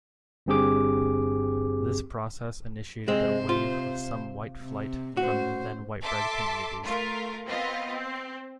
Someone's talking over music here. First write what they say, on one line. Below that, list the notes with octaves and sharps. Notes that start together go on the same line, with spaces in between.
This process initiated a wave of some "white flight" from then white-bread communities.
G1 G2 C4 G4 G#4 D6
C3 G#3 C4 C5
F4
C3
A2 C#4 F#4 C5
A4 E5 A5 C6 D6
A3 F4 A#4
B3 C4 F4 D#5
C4